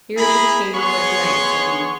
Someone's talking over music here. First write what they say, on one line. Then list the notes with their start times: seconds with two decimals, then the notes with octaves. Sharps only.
"Here is your chamber for to-night," said he.
0.17 E4 G#4 A#5 B5
0.75 B3 G#4 C#5 C6 C#6